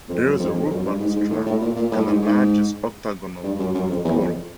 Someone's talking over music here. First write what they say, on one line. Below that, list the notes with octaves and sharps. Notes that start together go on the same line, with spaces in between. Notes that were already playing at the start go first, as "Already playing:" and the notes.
There is a roof balustrade and a largish, octagonal cupola.
F2
F#2
F2
F2
F2
F#2
G2
G#2
G#2
A2
A2
A#2
A#2
A2
G#2
G#2
G2
F#2
F#2
F2
E2
F2